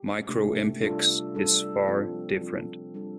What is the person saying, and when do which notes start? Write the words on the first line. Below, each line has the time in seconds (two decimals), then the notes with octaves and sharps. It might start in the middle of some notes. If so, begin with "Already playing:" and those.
MicroEmpix is far different.
Already playing: G4
0.29 C3 A3 D4 G4
0.82 G3 D4 F4 A4
1.35 G3 D4 F4 A4
1.88 F3 C4 F4 A4
2.41 F3 C4 F4 A4
2.94 G3 D4 A4